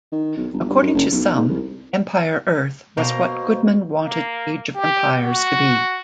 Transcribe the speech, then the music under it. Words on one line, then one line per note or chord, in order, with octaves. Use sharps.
According to some, "Empire Earth" was what Goodman wanted "Age of Empires" to be.
D#3
B1
G1
G2
F#2
F#1
B1
G#2
C2
B2 A#3 C5 A#5
A#3
G4
F#4